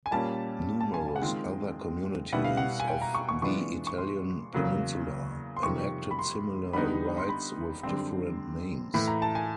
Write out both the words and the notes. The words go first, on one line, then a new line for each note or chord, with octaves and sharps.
Numerous other communities of the Italian peninsula enacted similar rites with different names.
G#5
A#2 G3 A#3 C#4 A5
A5
G#5
G#5
F#5
D#3 G#3 C4 F4 G5
B2 G3 B3 E4 F#5
F5
F#5
G#5
G5
A#5
C#6
C#6
E3 G#3 B3 D4 F4 C#6
C#6
C6
E2 C#3 F#3 A#3
C6
F2 C3 D#3 G3 C#6
B5
C6
D3 G3 B3 D#4 B5
C6
B5
F#2 D3 G3 C4
A2 E3 A3 B5
A#5
A5
G#5